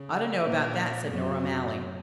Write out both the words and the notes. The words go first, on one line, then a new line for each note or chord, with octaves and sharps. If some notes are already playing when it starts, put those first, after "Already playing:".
"I don't know about that," said Nora O'Malley.
Already playing: C#3
A#2 A#3
F#2 F#3